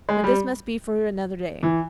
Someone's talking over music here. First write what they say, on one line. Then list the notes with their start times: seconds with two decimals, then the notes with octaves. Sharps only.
But this must be for another day.
0.09 G#3
0.24 G3
1.63 E3